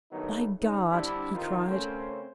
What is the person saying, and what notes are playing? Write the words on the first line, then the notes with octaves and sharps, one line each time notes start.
"By God!" he cried.
G2 D#3 F#3 A3 B3 D#4
C#3 D#4
D3 G3 C4 D4 E4
C3 D#3 C4 D#4 F4
C#3 A3 C4 C#4 A#4 C5